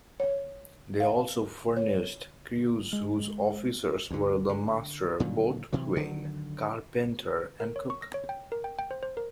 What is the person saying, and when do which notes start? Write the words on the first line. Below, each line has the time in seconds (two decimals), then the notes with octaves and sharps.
They also furnished crews whose officers were the Master, Boatswain, Carpenter and Cook.
0.20 C#5
1.00 F5
1.77 C#5
2.93 G#3
4.11 D2 D3
4.49 D3
5.20 A#2 D3 D#3 F#3
5.73 C3 E3 F#3
5.96 D3 D#3 F#3
7.60 A#4
7.76 C#5
7.90 C#6
8.02 A#6
8.14 C#5
8.29 G5
8.52 A#4
8.64 G5
8.79 G5
8.91 C5
9.03 C5
9.17 A#4